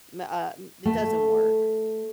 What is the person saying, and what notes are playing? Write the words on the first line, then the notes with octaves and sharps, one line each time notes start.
ma uh, m it doesn't work.
A3